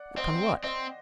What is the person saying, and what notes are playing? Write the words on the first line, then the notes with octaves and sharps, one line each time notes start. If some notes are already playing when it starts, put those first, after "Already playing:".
"Upon what?"
Already playing: D5 F#5
C4 C5 D#5
C4 C5 D#5